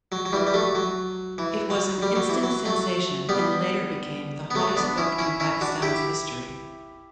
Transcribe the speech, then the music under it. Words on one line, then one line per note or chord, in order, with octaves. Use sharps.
It was an "instant sensation" and later became the "hottest book in Pakistan's history".
F#3
F#3
E3 G3
G3
F#3 A3
F#3
E3
F#3
G3
F#3
E3
F#3
F#3 A3
G3 B3
B3
F#3 A3
B3 D4
C#4 E4
C#4 E4
C#4 E4
D4 F#4
E4 G4